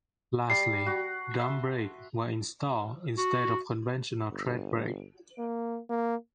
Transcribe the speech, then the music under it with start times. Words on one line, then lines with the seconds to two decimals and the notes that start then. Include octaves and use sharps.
Lastly, drum brakes were installed instead of conventional tread brakes.
0.50 G3 A5 C7
0.86 F#4
1.39 E5 C6
3.17 F#4
4.31 G1
5.38 A#3
5.90 A#3